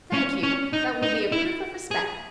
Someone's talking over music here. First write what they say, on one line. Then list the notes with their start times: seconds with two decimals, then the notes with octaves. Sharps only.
"Thank you; that will be a proof of respect."
0.13 C#4
0.43 C#4
0.73 D#4
1.03 D#4
1.32 E4
1.91 G#4